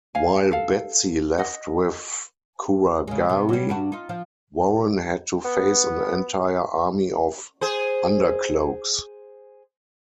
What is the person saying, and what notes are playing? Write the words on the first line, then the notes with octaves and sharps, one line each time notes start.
While Betsy left with Kuragari, Warren had to face an entire army of Undercloaks.
F5 G#5
A4 F5
D#5 F#5
C#3 G#3
C3
F#3 G3
G2 D4 F#4
D#4 F4
F3
B3
G#4 C5